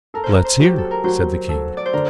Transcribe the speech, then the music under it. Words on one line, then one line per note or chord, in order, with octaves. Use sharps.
"Let's hear," said the king.
A4 A#4
C5
A#4
C5
F#3 G4
A4
A#4
F#3 C5
A4
D5
C5
D3 A#4